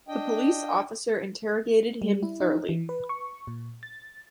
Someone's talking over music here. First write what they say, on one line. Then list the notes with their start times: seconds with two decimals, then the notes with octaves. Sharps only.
The police officer interrogated him thoroughly.
0.08 D4 D#5 G5
2.02 G3
2.23 E4
2.40 D#4
2.69 E3
2.89 B4
3.09 C#6
3.47 A#2
3.83 A6